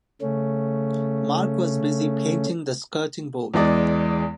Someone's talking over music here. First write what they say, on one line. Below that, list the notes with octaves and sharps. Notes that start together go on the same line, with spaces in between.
Mark was busy painting the skirting board.
C#3 A3 C#4
E2 E3 G#3 D5